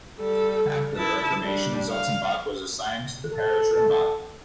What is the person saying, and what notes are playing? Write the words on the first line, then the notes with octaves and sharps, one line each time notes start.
After the reformation, Zotzenbach was assigned to the parish, Rimbach.
G3 A4
E4 A5
G3 D4
F5
A4